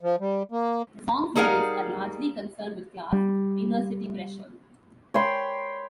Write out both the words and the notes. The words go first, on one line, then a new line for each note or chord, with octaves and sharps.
The song's lyrics are largely concerned with class, inner-city pressure.
F3
G3
A#3
G3 D#4 G#4 A#4 F5 F#5
G3
C#5 G5 B5 C6